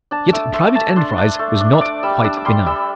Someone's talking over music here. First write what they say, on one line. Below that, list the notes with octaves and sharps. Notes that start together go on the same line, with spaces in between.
Yet private enterprise was not quite benumbed.
D4 A5
A3 D6
A3 C6
A3 A5
D4 C6
D4
A3
D4
D4 D6
G3 E6
D4 E6
D6
G3 C6
G3 E6